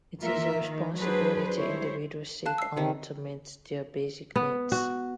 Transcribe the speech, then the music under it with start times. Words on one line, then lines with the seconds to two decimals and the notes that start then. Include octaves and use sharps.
It is a responsibility individuals take on to meet their basic needs.
0.21 E3 A#3 F4 A#4 E5
0.59 D#3
0.96 F#3 D4 G#4 B4 C5
1.55 G3 G#3 E4 C5 C#5
2.46 F5 A5 F#6
2.58 E6 C7
2.77 C3 D#3
4.36 B3
4.72 F#4